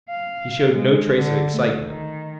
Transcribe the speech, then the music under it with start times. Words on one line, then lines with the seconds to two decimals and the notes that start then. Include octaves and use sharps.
He showed no trace of excitement.
0.10 F5
0.71 G#3
1.18 D3
1.52 A3
1.88 D#3